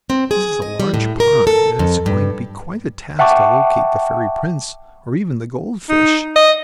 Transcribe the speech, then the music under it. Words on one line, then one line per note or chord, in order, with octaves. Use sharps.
"This is a large pond, and it's going to be quite a task to locate the fairy prince, or even the gold fish."
C4
G#4
D#5
G3
A2
A#4
A4
F2
G2
E5 F#5 G5 A5 C#6 D6
D#4
D#5